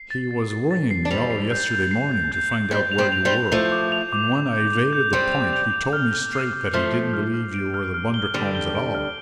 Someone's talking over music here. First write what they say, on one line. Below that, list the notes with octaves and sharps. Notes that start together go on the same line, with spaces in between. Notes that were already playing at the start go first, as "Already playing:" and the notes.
He was worrying me all yesterday morning to find out where you were, and when I evaded the point he told me straight that he didn't believe you were the Bundercombes at all.
Already playing: C7
A6
A6
A6
A6
C7
D4
G3 C4 F7
C7
G6
G6
C7
G6
G6
C7
G3 C4 G6
F7
G3 C4
F7
G3 C4
F7
F3 A3 F7
D6
F7
D6
F7
G6
F7
G6
G3 C4 G6
F7
F7
F7
F6
F6
C7
F6
F3 A3 F6
F6
F6
F6
D7
F6
F6
G7
D3 G3 F6
G7
D7
F6